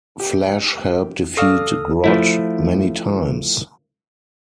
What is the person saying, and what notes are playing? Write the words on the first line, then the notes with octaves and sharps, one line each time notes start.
Flash helped defeat Grodd many times.
G4
A4 D5 F5 C#6 D#6 F6
F3 A3 E4